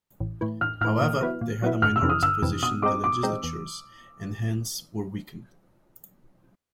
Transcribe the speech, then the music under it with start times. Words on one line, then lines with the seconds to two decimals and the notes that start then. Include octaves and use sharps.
However, they had a minority position in the legislatures and hence were weakened.
0.20 A1
0.41 A2 E3
0.61 A1 F6
0.81 A2 E3 F6
1.01 A#2
1.21 F#3 B3 E4
1.41 A#2
1.62 F#3 B3 E4
1.82 G1 F6
1.96 E6
2.02 F2 C3 E3
2.09 D#6
2.23 G1 E6
2.42 F2 C3 E3
2.62 B2 D#6
2.82 G#3 C4 D#4 D6
3.04 B2 D6
3.23 G#3 C4 D#4
3.44 E2